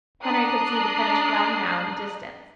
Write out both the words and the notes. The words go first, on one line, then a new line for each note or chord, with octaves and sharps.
Henry could see the finish-flag now in the distance.
D4 A#5 D#6 F#6 C7